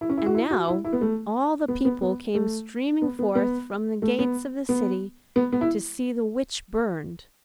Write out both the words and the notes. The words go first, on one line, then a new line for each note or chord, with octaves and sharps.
And now all the people came streaming forth from the gates of the city to see the witch burned.
E4
C#4
E4
F#4
E4
F#4
E4
E4
B3
A3
B3
B3
B3
A3
B3
B3
B3
A3
B3
B3
B3
B3
E4